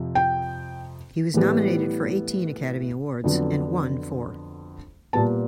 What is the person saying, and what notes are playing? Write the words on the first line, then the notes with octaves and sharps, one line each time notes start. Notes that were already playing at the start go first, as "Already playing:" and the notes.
He was nominated for eighteen Academy Awards and won four.
Already playing: F2 C3 F3
G5
A2 E3 G3 B3
F2 D3 F#3 B3
A#2 G3 B3 A5